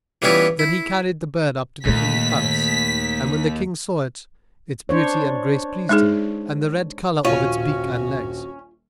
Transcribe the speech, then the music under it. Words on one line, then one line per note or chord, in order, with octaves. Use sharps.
Then he carried the bird up to the King's palace and when the King saw it, its beauty and grace pleased him and the red colour of its beak and legs.
E3 G3 B3 C#4 E4 F4
E4
D#2 A#2 A3 B6
D4 C5 C#5
G#3 D#4 G#4
D#1 A#1 C#4 F4 F#4